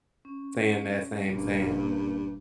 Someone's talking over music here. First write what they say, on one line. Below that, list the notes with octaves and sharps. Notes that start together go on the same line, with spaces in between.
saying that same saying,
C#4
F#1 G2 A#2 A#3